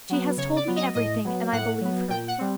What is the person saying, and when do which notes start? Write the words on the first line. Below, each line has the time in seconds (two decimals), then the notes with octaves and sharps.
She has told me everything and I believe her.
0.09 F#3 B3
0.37 C#3 C#5
0.56 D5
0.67 F#3 B3
0.76 D#5
0.95 A2 D#5
1.24 F#3 B3
1.52 A2 F#5
1.81 F#3 B3
2.10 A#2 G5
2.28 F#5
2.38 G3 C4